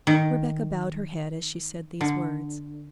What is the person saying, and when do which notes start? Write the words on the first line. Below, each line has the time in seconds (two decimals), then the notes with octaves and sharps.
Rebecca bowed her head as she said these words.
0.07 D#3
2.01 D3